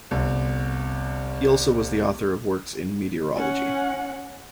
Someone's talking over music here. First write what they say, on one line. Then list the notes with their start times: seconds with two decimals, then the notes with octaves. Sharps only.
He also was the author of works in meteorology.
0.11 G1 C2
3.36 C#4 F#5